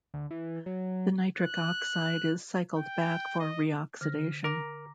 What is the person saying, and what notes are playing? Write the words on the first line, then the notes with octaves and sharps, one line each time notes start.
The nitric oxide is cycled back for reoxidation.
D2
E3
F#3
F#6
G5
D#5
D3 F6 A#6
A#4 A#5 D6 A#6